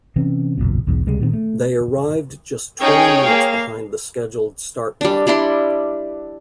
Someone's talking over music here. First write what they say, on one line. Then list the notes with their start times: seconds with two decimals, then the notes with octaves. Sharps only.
They arrived just twenty minutes behind the scheduled start time.
0.16 C3 E3 C4 C#4
0.58 F#1 B1 E2 A#2
0.87 B1 E2 G#2
1.06 C#2 C3 G3 G#3
1.20 A#2 D#3 B3 C4
1.33 A3
2.80 C#4 D#4 G#4 C#5 G5
3.23 A#3 F5
5.01 G3 D4
5.27 G3 D4 E4 C6